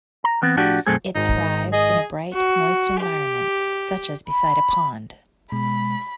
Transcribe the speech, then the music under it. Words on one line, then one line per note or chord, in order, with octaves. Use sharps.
It thrives in a bright, moist environment, such as beside a pond.
A#5
E3 B3 C4
A2 F3 D4 F#4 G4
B1 F#2 A3 C4 G#4
G#1 G#2 D#4 A#5
G#4 D#5
F#4
G4
B5
B2 G#3 B5